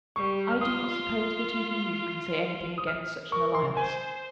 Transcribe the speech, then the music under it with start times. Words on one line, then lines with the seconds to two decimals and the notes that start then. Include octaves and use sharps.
I do not suppose that even you can say anything against such an alliance.
0.16 G3 C#6
0.50 F6
0.61 F4 D#6
2.78 D#6
2.87 F6
3.31 A#4 C#6
3.54 C6
3.77 C5 G#5